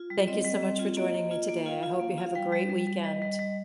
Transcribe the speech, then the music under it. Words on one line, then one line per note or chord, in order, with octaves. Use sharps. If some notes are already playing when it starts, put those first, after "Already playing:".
Thank you so much for joining me today, I hope you have a great weekend.
Already playing: F4
G3
C4 D#5
G3
C4
F4
A#3 D#5
A#3
F4
A#3
F4 F5
F4
A#3
F4
F5
G3 G5
G3
G3
G3
G3 D#5
G3
G3